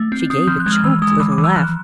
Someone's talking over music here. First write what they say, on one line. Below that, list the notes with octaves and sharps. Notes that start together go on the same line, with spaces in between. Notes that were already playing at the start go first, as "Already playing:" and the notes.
She gave a choked little laugh.
Already playing: A3
C4
C4 D#6
F3 G6
F#6
G#3
F6
E3 E6
G#3 D#6
E3 D6
D6
E3
E6
F3 F#6